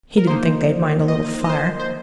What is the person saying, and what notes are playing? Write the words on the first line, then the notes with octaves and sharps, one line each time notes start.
He didn't think they'd mind a little fire.
A#4
F3 A#3 D#4 C5
D#5
D#5
C5
C5